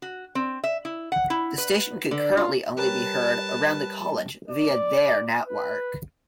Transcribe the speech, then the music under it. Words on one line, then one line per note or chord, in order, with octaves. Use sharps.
The station could currently only be heard around the college via their network.
F#4
C4
E5
E4
F#5
E4
B4
D3
F4
G3 G4 A#4 B4 C#5 G5 A5
D5
B4